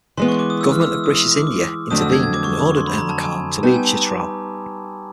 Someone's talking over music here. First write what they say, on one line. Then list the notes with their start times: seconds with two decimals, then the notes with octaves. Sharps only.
The Government of British India intervened and ordered Umra Khan to leave Chitral.
0.17 E3 G#3 B3 C6
0.28 C#6
0.39 D6
0.50 D#6
0.61 E6
0.72 F6
0.82 E6
0.93 E6
1.04 D#6
1.15 D#6
1.25 D#6
1.36 D6
1.47 D6
1.91 F2 D3 F#3 A3 D#6
2.01 E6
2.12 G#6
2.23 G#6
2.34 D6
2.44 C#6
2.55 D6
2.66 C#6
2.77 C6
2.87 B5
2.98 A#5
3.09 A5
3.20 G#5
3.63 G3 B3 D#4 A5
3.74 G#5
3.85 A5
3.95 A#5
4.06 D6